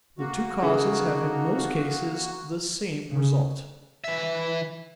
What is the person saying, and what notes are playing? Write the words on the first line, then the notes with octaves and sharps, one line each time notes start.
The two causes have in most cases the same result.
A#3 F#4
C#3 D#4 A4
C#3
E3 E5